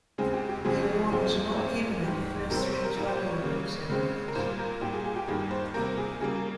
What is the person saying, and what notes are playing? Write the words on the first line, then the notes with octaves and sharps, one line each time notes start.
The award was not given at the first three Tony Award ceremonies.
C#3 G#3 C4 G#4
G4
G4
F2 C#3 G#3 C4 G#4
A#2 G3 C4
A#2 G#3 C4
G#2 D#3 G3
C3 G3 C4 A#4
C#5
C5
A#4
A#2 G3 A#3 A#4
C5
C#5
C#5
C#3 G3 A#3
C#3 G#3 C4
A#4
A#2 G3 A#3 C5
A#4
A#2 G3 A#3 G4
G#4
G#4
G4
G2 D#3 G3 A#3 G#4
C5
C3 G3 A#3 A#4
G#4
C#3 G3 A#3 G#4
A#4